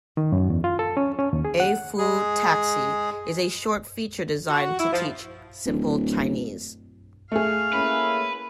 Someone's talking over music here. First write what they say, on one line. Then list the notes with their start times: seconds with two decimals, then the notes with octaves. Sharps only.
A-Fu taxi is a short feature designed to teach simple Chinese.
0.17 D#3
0.32 F#2
0.50 E2
0.64 F4
0.79 A4
0.97 C#4
1.19 C#4
1.33 D#2
1.45 G#4
1.60 F#5
1.98 G#3 G#4
4.50 F#4
4.78 E4
4.91 F3
5.66 D1
7.32 A3 G#4 F5
7.73 A#3 C#4 E4 B4